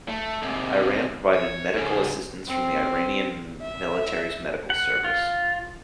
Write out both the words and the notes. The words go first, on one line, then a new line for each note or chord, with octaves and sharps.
Iran provided medical assistance from the Iranian military's medical service.
A3
G#2 C3
C#5
G#2 C#3
C4
E5
F#5
F4